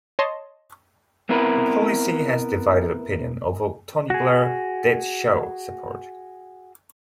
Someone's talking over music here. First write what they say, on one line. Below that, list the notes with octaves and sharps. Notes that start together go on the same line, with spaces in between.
The policy has divided opinion, although Tony Blair did show support.
C#5 D#5 A5 C6
B3 C4 E4 A#4 B4
F#4 G#4